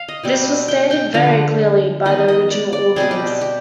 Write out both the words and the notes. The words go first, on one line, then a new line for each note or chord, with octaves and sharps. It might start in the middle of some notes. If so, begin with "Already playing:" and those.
This was stated very clearly by the original authors.
Already playing: F5
D#5
B2 G3 C4
G5
G5
D3 F3 B3 F5
D#3 B3 D#5
D#5
D5
D5
B2 G3 C4 G#4
G4
G4
G4